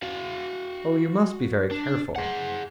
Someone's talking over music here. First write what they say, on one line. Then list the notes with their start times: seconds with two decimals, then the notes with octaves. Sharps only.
'Oh! you must be very careful.
0.03 F#4 F5
1.71 D4
2.16 G#4 F#5